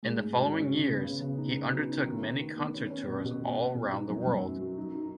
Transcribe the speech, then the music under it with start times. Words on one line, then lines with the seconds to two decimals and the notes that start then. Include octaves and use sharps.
In the following years he undertook many concert tours all round the world.
0.03 G#3
0.20 G#2
0.36 F#4
0.53 C#4
0.69 C#3
0.87 B3
1.04 C#3
1.21 C#3
1.38 D#4
1.55 B3
1.71 F#3
1.89 D#4
2.05 D#3
2.23 D#4
2.40 B3
2.57 B3
2.74 C#4
2.90 C#4
3.07 B2
3.25 B2
3.42 B2
3.58 B2
3.75 B2
3.93 D#4
4.10 F#2
4.26 F#2
4.44 F#3
4.61 F#3
4.77 D#4
4.94 D#4